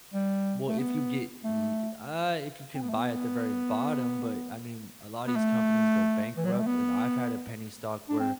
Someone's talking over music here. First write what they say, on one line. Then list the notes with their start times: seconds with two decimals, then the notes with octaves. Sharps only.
Well, if you get l uh, if you can buy at the very bottom, but I mean, a lotta these companies go bankrupt, and I've had a penny stock where
0.14 G3
0.68 A3
0.79 B3
1.44 A3
2.74 C4
2.81 B3
2.89 A3
2.96 B3
5.27 B3
5.36 A3
6.37 E3
6.45 F#3
6.52 G3
6.59 A3
6.67 B3
8.09 D4
8.20 C4